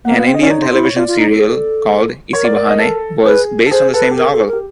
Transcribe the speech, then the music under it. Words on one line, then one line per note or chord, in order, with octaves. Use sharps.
An Indian television serial called Isi Bahane was based on the same novel.
A#3 F#5
B3
F5
C4
C#4 D#5
D5
D#4 C#5
C5
E4 C5
C#5
F4 D5
F4
D#4
A4
G#4
A4
A#4 C#5
D5
D5
D#5
A4
G#4 B4
A4
G#4 C5
A4 B4
G4
G#4 A#4
A4
A#4
G4